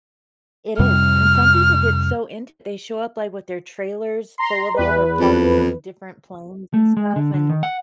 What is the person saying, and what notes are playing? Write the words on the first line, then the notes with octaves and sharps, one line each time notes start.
It is. And some people get so into it. They show up, like, with their trailers full of all their parts and different planes and stuff, and
F2 C3 G3 F6
A#5 C6
E2 B4
F2
A3
G#3
D3
D3
D#3
F#5